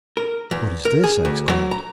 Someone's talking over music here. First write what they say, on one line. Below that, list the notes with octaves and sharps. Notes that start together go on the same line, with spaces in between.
"What is this?" I exclaimed.
A#4
E2
A#4
G#4
D2
F#3
A#5